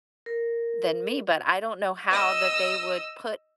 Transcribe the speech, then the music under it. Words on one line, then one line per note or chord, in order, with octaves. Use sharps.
than me, but I don't know how that they would put
A#4
D#5 E6